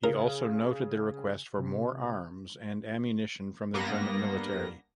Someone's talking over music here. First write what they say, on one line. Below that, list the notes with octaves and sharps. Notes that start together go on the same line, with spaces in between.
He also noted their request for more arms and ammunition from the German military.
C#3 A#4
C3
G2 A#3 B3 A#6